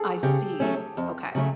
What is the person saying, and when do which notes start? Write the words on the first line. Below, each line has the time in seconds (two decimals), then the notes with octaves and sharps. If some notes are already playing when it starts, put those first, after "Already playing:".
I see, okay.
Already playing: G#4 A4
0.23 C#3 G4
0.60 F#3 A3 C#4
0.97 F2
1.35 C#3 F#3 A3